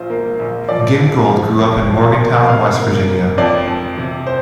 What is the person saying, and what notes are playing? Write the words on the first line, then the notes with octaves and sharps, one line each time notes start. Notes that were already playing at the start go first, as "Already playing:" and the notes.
Gingold grew up in Morgantown, West Virginia.
Already playing: A#1 F4 C5
A#3
A#1
F3 D5
F2
F3
F2
F3
A#3
C3 F5
A#3
A#3
F2 D5
F2
C3
C5